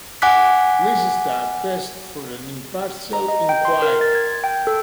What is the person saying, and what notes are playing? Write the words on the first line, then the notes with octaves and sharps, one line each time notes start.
Leicester pressed for an impartial inquiry.
F#5 G#5 D6 F#6 B6
A#5
D#5
G5
C6
A#4
A6
G#6
G5
A4